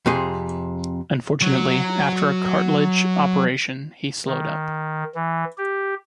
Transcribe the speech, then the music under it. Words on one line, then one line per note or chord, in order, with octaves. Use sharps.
Unfortunately, after a cartilage operation he slowed up.
F2 C3 G#4
F#3 F#4
D#3
E3
G4